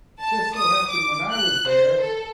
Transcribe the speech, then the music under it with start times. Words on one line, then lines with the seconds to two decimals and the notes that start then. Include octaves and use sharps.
just so happened when I was there,
0.21 A5
0.56 D#6
0.89 D6
1.31 F#6
1.67 C5
2.02 A4